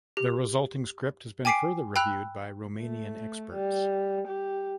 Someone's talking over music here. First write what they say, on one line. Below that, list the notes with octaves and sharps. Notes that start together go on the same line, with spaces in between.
The resulting script has been further reviewed by Romanian experts.
G4
G5 G#5 D6 B6 C7 D7
G5 B5 E6 F#6 F7
A3
G3
G4